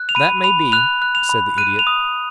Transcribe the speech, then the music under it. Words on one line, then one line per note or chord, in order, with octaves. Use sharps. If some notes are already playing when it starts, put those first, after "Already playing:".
"That may be," said the Idiot.
Already playing: F#6
F7
B5 D#7
B5 F7
F#6 F7
F#6
F7
B5
F#6 D#7
F7
D#6